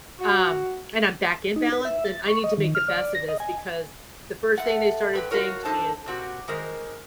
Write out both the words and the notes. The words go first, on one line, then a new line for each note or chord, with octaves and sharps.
um, and I'm back in balance, then I need to make the best of this because the first thing they started saying to me is,
F#4
D#4
B4
E5
A6
C#6
D#5
D#3
F6
D5
A#6
D#5
G#5
A3 F#5
G2 B4 G5
F4 F#4 A#4 C#5
D4 D#4 A4 C5 A5
A#2 C4 F#4 G4
D#3 G#3 A#4 C5